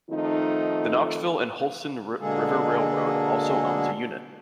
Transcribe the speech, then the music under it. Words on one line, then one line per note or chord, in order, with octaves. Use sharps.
The Knoxville and Holston River Railroad also owns a unit.
D#3 F3 A3 C4 D#4
B2 D3 G#3 A#3 G#4 A4